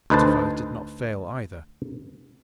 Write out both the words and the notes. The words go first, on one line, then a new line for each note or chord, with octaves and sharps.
Butterflies did not fail either.
D2 D#4 B4 C5 A5